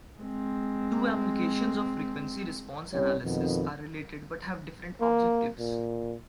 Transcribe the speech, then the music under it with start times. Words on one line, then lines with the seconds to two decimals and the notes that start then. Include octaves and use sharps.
Two applications of frequency response analysis are related but have different objectives.
0.19 G#3 C4
2.93 C2 C#4 G4 C#5
3.23 F2 B2 D#3
5.01 A#3
5.59 A#2